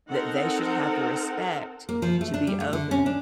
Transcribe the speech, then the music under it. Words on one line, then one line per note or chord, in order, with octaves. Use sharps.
that they should have the respect to be open
C4 D#4 A4 A#4 F#5
A#3
F3
A3
D4
G3
A3
D3
C#4
D4